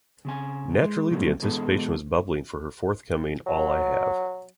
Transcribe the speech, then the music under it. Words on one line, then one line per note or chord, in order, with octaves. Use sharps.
Naturally the anticipation was bubbling for her forthcoming "All I Have".
C#3 C4 G#5
G#3
B2 F#3 G3 A3 C4
B2 E3 G#3 A4
F#3